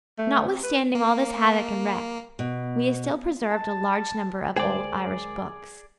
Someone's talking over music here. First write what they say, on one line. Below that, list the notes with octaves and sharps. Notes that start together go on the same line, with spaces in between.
Notwithstanding all this havoc and wreck, we have still preserved a large number of old Irish books.
A3
C4
B4
A#3
B2
A5
D2 G#3 G#4 A#4 C5 D5 G5